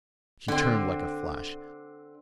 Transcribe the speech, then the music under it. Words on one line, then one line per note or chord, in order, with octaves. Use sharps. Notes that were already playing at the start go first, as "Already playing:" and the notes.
She turned like a flash.
D3 C4